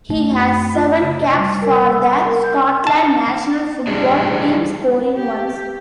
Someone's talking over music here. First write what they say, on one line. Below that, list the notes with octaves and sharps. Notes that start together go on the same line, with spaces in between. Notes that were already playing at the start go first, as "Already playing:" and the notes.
He has seven caps for the Scotland national football team scoring once.
A3
F#2
F4
C#3
C3
G3
A#4
E6
A#4
G6
A5
E3 G3 G#3 D4
G4